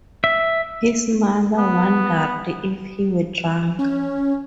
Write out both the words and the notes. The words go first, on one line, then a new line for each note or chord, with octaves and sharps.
His mother wondered if he were drunk.
E5
B3
C#4